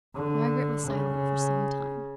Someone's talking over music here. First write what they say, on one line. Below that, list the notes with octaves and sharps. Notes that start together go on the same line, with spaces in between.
Margaret was silent for some time.
D3
C#3